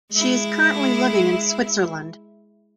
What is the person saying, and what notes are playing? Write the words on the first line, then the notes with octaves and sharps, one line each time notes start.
She is currently living in Switzerland.
G#3 E4